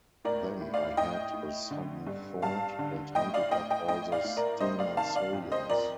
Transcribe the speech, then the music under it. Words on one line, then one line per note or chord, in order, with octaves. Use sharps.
Then I had a sudden thought, and hunted up all the steamer sailings.
A2 A#4 D5
A2
D5 F5
A2 D#5 G5
A2
D3
G2
G2 F5 A5
D3
A2 D#5 G5
D5 F5
A2 D#5 G5
D#5 G5
A2 D#5 G5
D5 F5
A2
A#4 D5
C3 C5 D#5
D5 F5
D#3 F5 A5
D5 F5
F2
C5 D#5
F2 A#4 D5